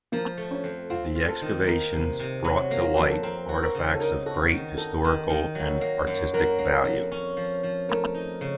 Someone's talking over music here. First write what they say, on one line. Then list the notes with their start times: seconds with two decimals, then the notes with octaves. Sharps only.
The excavations brought to light artifacts of great historical and artistic value.
0.12 F3 A#3
0.37 A3
0.51 C#4
0.64 F2
0.90 C4 F4
1.16 F4
1.29 A4
1.42 D#3
1.67 A#3 A#4
1.93 C3
2.20 C3
2.44 F#3
2.71 A#3
2.81 F4
2.95 F2 F#4
3.10 A4
3.23 C4 A#4
3.49 F#4
3.62 A#4
3.75 C#3
3.95 A4
4.00 D#4 A#4
4.26 F#4 A4
4.53 D#3
4.78 D#4 A4
5.04 D#3
5.29 D#3
5.55 F#3
5.81 A#3
6.07 F#2
6.34 F#3 A#4
6.59 A#3
6.85 F2
7.12 C#4
7.37 F3
7.63 F3
7.89 A3 A#4
8.15 D#4
8.41 C#3